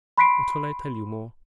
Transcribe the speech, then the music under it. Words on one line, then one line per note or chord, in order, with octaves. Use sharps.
What shall I tell you more?
B5 C6 F#6 B6 C7 D7